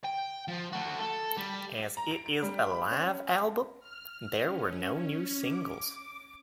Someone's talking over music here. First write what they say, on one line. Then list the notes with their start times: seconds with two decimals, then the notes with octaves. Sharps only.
As it is a live album, there were no new singles.
0.04 G5
0.48 F3
0.73 A3 F#4
1.00 A4
1.37 G3
1.97 A#5
2.11 D7
2.26 D7
2.43 G3
2.70 B5
2.91 C#4
3.79 F6
4.45 C#4
4.93 C#4
5.39 D6